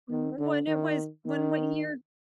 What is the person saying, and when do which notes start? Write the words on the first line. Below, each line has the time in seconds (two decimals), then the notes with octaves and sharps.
When it was when what year?
0.10 D#3
0.39 D3
0.67 D#3
1.26 D#3